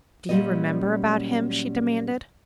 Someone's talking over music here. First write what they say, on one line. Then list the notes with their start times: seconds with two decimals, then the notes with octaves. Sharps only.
"Do you remember about him?" she demanded.
0.29 A#2 F#3 G3 C#4 D#5